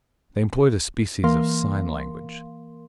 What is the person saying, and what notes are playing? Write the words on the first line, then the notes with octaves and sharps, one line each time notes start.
They employed a species of sign language.
E3 A#3 A#4 F5 C6